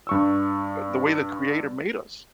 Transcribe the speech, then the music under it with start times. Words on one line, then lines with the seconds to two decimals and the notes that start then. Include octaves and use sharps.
the way the creator made us,
0.07 G2 C#6 E6